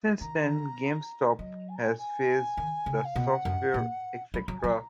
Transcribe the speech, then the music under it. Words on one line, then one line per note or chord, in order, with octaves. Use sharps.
Since then, GameStop has phased the Software Etc.
D#3 A#5
F#3 D#5
G#5
A#5
G#5
G#5
D#3
C#3
F5
B2 F#5
F#2
A#2
F#3 B5
F#3 A#5
F#3 G#5
A#5